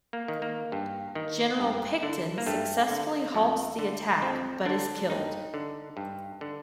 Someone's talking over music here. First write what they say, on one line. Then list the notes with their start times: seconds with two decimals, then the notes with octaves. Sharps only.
General Picton successfully halts the attack but is killed.
0.13 A#3
0.28 D#3
0.42 A#3
0.72 G2
1.15 D#3
1.60 G2
2.03 D3
2.38 A#3
2.47 G2 A3
2.90 D3
3.34 F2
3.79 D3
4.22 F2 C4
4.65 D3 D4
5.10 G2 D#4
5.54 D3
5.97 G2
6.41 D3